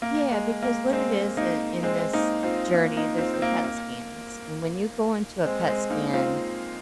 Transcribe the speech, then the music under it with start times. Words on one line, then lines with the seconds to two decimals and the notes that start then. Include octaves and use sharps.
Yeah, because what it is i in this journey, there's the PET scans. And when you go into a PET scan,
0.02 A#3
0.31 G#3
0.63 A#3
0.92 G#3 C4
1.37 A#3 D#4
1.83 G#3 C4
2.13 A#3 D#4
2.43 C4 F4
2.73 A#3 D#4
2.97 A#3 D#4
3.18 C4 F4
3.34 C4
3.42 A#3
3.64 A#3
5.45 G#3 C4
5.68 G#3 C4
5.90 A#3 D#4
6.13 C4 F4